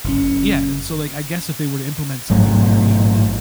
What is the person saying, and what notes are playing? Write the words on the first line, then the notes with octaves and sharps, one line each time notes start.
Yeah, and so, like, I guess if they were to implement something where, you know, like,
F#1 B2 C#4
A1 G#2 F#3 A3